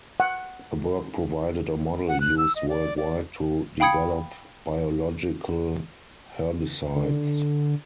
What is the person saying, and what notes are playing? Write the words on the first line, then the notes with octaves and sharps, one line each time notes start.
The work provided a model used worldwide to develop biological herbicides.
F#5
F#5
F#6
E6
D#5
D5
D5
F5 G5 B5 D#6 G#6 C#7
D3